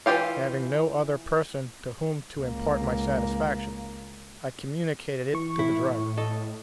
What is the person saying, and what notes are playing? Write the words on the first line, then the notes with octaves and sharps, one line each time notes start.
Having no other person to whom to impart my satisfaction, I communicated it to the driver.
E3 C#4 F4 G4 F5
C#2 A#3
E3 C#6
A2 E4
A4 D#5